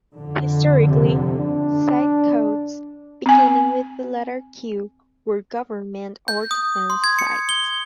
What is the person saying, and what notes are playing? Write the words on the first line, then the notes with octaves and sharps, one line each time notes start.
Historically, site codes beginning with the letter Q were government or defence sites.
F2 D3
C3
D4
C4 G#5
G6
D#6
C6
G#6
C#7
G7